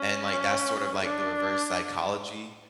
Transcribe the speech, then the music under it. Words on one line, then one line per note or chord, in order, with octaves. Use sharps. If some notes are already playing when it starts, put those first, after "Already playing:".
And, like, that's sort of, like, the reverse psychology
Already playing: C#4
D4